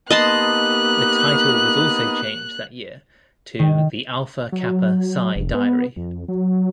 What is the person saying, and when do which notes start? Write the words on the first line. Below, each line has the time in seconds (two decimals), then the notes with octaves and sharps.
The title was also changed that year to "The Alpha Kappa Psi Diary".
0.11 A#3 B3 D#4 G4 D#5 A5 C6 F#6
3.59 D#3
4.52 F#3
5.36 F1
5.54 B3
5.96 F2
6.28 F#3